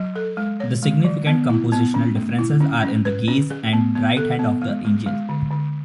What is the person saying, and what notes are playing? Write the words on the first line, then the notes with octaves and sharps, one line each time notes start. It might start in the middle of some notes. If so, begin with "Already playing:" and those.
The significant compositional differences are in the gaze and right hand of the angel.
Already playing: F#3
A4
G#3
C#5
G#3
E3
B3
E4
B3
C#4
A3
E4
C#4
C#4
B4
C#4
G#4
B3
B3
A4
B3
G#3
G#3
G#3
D3
D3